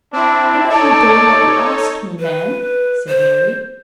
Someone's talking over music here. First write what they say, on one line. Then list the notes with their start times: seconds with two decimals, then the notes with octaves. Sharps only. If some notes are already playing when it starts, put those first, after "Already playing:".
"I am only doing what you asked me, ma'am," said Mary.
0.13 C4 D4 E4 A5
0.69 D#4 A4 C#5 D5
2.20 B4
3.07 C5